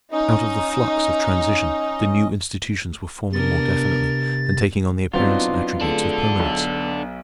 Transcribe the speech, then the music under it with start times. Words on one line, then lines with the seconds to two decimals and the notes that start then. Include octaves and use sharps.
Out of the flux of transition the new institutions were forming more definitely and taking on the appearance and attributes of permanence.
0.12 C#4 D#4 D#5
3.33 C3 B3 D4 A#4 A6
5.13 F#3 B3 C4 D4 D#4 F4
5.81 A3 D4 G#4 A4
6.40 B1 B3